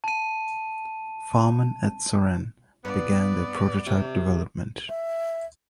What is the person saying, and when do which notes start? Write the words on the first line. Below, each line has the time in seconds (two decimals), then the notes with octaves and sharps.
Farman at Suresnes, began their prototype development.
0.04 A5 D#7
2.85 G2 B3 D5
3.87 C3
4.89 E5